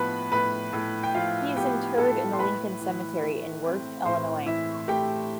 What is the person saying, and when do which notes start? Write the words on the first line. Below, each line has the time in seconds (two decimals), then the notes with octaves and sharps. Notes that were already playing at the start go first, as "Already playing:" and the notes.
He is interred in the Lincoln Cemetery, in Worth, Illinois.
Already playing: A2 F3 B3 B4 A5 B5
0.32 A2 B4 B5
0.73 A2
1.03 G5
1.15 F3 F4 F5
1.56 B3 G4 G5
1.98 A2 A4 A5
2.33 C6
2.39 A2 B4 B5
2.81 E3
3.22 A3
3.64 C4
4.05 A2 C5 C6
4.46 E3 E4 E5
4.88 A3 G4 G5